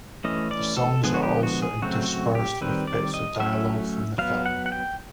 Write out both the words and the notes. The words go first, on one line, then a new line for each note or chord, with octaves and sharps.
The songs are also interspersed with bits of dialogue from the film.
E3 A3 C#4 D#5
D5
A4
D3 F3 G#3 B3 G#4
F#4
G4
F#4
G#4
C#3 F#3 A3 C4 F#4
F#4
G4
D#3 G3 C4 B4
D5
D#5
F#3 A3 C#4 E5
F#3 B3 F5
F#5
F#5
G5